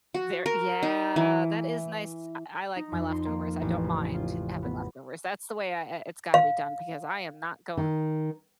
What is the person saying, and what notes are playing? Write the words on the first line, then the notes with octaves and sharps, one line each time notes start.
Y there yeah. That is nice. I l like my leftovers. I don't mind having leftovers. That's the way I i it's gotta be done because I am not going
F#4
A#4
D#4
E3
D#4
F2
C6
A#3
A1
C#3
F4
B3
F5
D#3